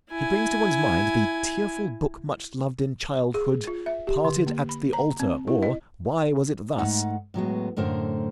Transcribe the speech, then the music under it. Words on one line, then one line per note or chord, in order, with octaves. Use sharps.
He brings to one's mind the tearful book, much loved in childhood, Parted at the Altar, or Why Was it Thus?
E4 G#5
G#4
F4
E5
G4
D3
A#3
B5
A#5
C4
E4
D#5
G#2 A3 D#4 F#5
A2 F#3 G#3 B3
F#2 A2 D3 A#4 C5